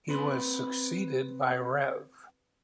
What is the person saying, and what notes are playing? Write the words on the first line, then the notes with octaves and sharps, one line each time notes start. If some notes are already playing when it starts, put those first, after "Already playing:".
He was succeeded by Rev.
C4 B4 B5 C6